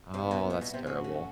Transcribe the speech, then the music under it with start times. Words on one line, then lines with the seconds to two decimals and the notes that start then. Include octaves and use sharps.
Oh, that's terrible.
0.14 C3 G3 B3 E4
0.31 B2
0.50 A#2
0.61 B2
0.74 C3
0.87 A2 C#3 F#3 A3 C#4 F#4
1.04 C#3